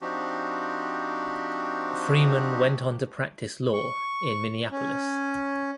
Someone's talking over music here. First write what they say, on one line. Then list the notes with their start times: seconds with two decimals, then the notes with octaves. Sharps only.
Freeman went on to practice law in Minneapolis.
0.01 F3 C4 D4 D#4 F#4 G4
3.73 C#6
4.71 C#4